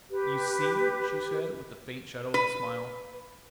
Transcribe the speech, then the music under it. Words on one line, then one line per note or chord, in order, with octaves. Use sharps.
"You see?" she said, with the faint shadow of a smile.
G4 B4
B4